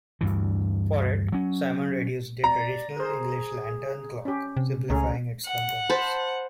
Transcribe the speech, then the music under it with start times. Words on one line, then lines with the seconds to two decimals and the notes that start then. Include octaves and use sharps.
For it, Simon reduced the traditional English Lantern clock, simplifying its components.
0.21 D2 G2 E3
1.32 F#3 C#4
2.44 D5 A#5
2.96 G#4 A#4 C5
4.25 C#4 G4
4.57 C3
4.90 C#2 A3 C#4 G#4 A#5
5.46 F#5
5.90 C5 A5 B5